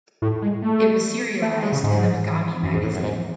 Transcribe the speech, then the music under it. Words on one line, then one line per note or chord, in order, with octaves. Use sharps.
It was serialized in the Megami Magazine.
A2
G#3
A3
A3
A3
G#3
C#3
G#2
F#2
G#2
A2
F#2
G#2